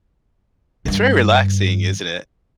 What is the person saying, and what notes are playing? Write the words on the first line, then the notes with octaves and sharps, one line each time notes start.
It's very relaxing, isn't it?
G2 D#3